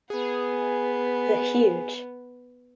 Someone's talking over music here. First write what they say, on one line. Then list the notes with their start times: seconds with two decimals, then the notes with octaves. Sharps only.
The huge.
0.10 B3 G#4